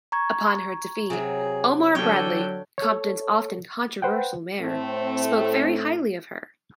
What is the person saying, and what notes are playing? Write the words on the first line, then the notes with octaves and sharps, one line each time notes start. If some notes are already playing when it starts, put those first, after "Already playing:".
Upon her defeat, Omar Bradley, Compton's often controversial mayor, spoke very highly of her.
A#5 C#6 G#6
C3 F#3 G#4
D3 F#3 C#5 G5
A4 C#5
B4 C5 F#5 G5
A2 A3 C4